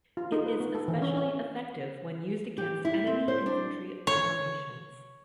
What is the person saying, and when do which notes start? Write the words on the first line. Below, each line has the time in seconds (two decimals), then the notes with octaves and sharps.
It is especially effective when used against enemy infantry formations.
0.17 F4
0.32 D#4
0.46 B4
0.60 B3
0.75 A4
0.88 E3
1.02 C#4
1.17 C#4
2.58 G4
2.85 E4
3.07 C4
3.28 C5
3.46 D4
4.07 C#5